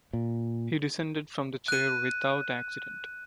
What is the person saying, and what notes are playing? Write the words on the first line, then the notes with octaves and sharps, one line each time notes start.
He descended from the chair without accident.
A#2
F#6 D#7